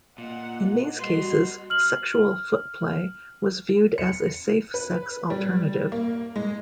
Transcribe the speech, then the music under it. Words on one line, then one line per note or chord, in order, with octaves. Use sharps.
In these cases, sexual foot play was viewed as a safe-sex alternative.
A#2 D#5 F#5
G3 F#4 B4 D#5 C6
F6 F#7
C#7
B4
G3
A#3
G#3